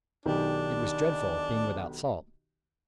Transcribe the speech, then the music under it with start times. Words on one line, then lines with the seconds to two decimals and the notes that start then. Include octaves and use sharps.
It was dreadful, being without salt.
0.26 B1 D#3 D4 G4